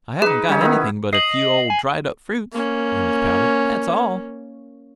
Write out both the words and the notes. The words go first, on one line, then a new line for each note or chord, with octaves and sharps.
"I haven't got anything but a few old dried-up fruits," Amos pouted. "That's all."
D#4 G#4 B4
G3 C#4 D#4
D#3 B3 E4
D#5 C7 F#7
G#5
A#3 C#4